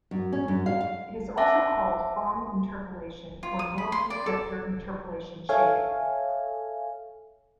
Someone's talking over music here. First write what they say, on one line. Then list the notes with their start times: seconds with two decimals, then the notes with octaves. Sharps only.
It is also called Phong interpolation or normal-vector interpolation shading.
0.11 F#2
0.33 C#4
0.48 F#2
0.66 F5
0.81 F5
1.38 E5 F#5 A5 D6 A#6
3.43 F4
3.59 D#6
3.78 B5
3.92 C6
4.10 D5
4.26 A4
5.49 A4 C#5 E5 F5 G#5